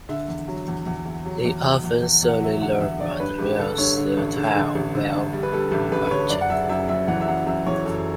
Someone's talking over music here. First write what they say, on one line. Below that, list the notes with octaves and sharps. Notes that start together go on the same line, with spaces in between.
They often slowly lower and raise their tails while perched.
D3 E5
E2
F#3
E2
E2
E2
F#3
E2
E2
E2
E2
E2
F#5
F#3 E5
D3 F#5
E2 E5
D3 D5
C#5
G2 B4
A1 G4
D3 A4
G2 C#5
D3
A1
D3
D3
A1
D3
G2
G3
B4
G3 A4
A1 G4
A1 B4
B4
D3 C#5
F#1 D5
F#5
F#1 E5
F#2 E5
F#1 E5
E3 F#5
E5
F#2 F#5
F#2 E5
E3 C#5
F#1 A4